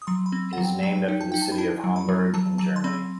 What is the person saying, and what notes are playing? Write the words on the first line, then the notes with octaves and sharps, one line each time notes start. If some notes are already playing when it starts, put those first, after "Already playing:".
It is named after the city of Hamburg, in Germany.
D#6
F#3 C6
B5
C4
F#3 F#5
G5
F#3 G5
D#4
A5
D#4 G5
A5
B5
E4 A5
F#3
B5
F#3
F#3 A5
F#3 A5
C6
C4 B5